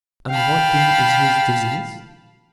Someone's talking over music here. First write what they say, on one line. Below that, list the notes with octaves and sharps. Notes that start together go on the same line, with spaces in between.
'And what then is his disease?'
F5 G5 A5 B5